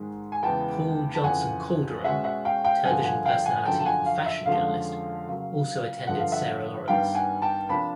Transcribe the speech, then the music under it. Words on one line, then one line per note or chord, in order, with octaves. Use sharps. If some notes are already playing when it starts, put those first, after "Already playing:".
Paul Johnson Calderon, television personality and fashion journalist also attended Sarah Lawrence.
Already playing: G#2 D#3 G#3
G#5
E2 C#3 E3 G#3 B3 G5 A5
A5
F2 C#3 E3 F#5 G#5
B2 G#3 C#4 E5 F#5
E5 F#5
F5 G5
F5 G5
G2 D3 F3 A#3 F#5 G#5
F#5 G#5
F5 G5
F#5 G#5
F#2 D3 F3 G5 A5
A5
F#5 G#5
F5
E5
F2 D3 F3 G#3 C#4 F5
C#3 F#3 A#3
G2 D3 F3 F#5
F5
E5 F#5
G2 D#3 G3 B3 D4 F5 G5
F#5 G#5
G5 A5
C3 F3 A#3 D4 A5 B5